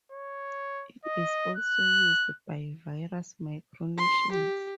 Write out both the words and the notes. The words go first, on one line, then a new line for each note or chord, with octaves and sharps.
It is also used by various micronations.
C#5
D#5
F#6
C6
G4